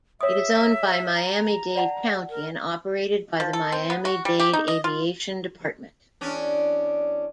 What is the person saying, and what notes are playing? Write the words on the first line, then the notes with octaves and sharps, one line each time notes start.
It is owned by Miami-Dade County and operated by the Miami-Dade Aviation Department.
C#5 E5 D#6
A#5
D5 F#5 A5
A#4
F3
A4
C4
B3
F#4
G3
G4
D#4
D#5
F4
E2 C#4 D4